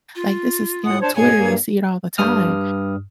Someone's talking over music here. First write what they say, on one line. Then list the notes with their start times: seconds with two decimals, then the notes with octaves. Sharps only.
Like, this is, you know, on Twitter, you see it all the time.
0.15 F4
0.84 A2 F#5 D#6
1.02 D4 C5 C#5 A5
1.15 G#2 B2 G#4 C#5 G#5 G#6
1.37 G2 A#3
2.18 G2 D#6 F6